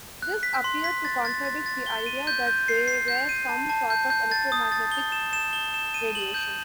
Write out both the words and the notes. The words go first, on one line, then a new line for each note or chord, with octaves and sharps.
This appeared to contradict the idea that they were some sort of electromagnetic radiation.
F#6
B6
C6
B6
A6
A6
A6
A6
G7
D#7
G6
G6
C7
C7
G6
D#7
A5
A5
G6
G6
A6
D#6
A6
G7
E7
E7
G7
E7
D#7
F#7
G6